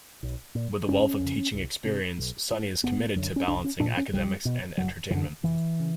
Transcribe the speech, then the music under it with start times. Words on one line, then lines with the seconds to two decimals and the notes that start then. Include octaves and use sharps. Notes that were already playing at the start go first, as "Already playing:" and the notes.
With a wealth of teaching experience, Sonny is committed to balancing academics and entertainment.
0.23 B1
0.55 A#2
0.88 F#1 C#4
1.20 F2 C#3
1.53 C2
1.85 C3
2.18 B1
2.51 A2
2.83 F#1 B3
3.16 F#2 D3
3.36 C#4
3.47 C2 D4
3.64 C#4
3.80 A#2 D4
3.97 C#4
4.13 B1 G3
4.45 B2
4.77 F#1 F#3
5.11 F#2 D3 E3
5.43 F1 E3
5.79 C#3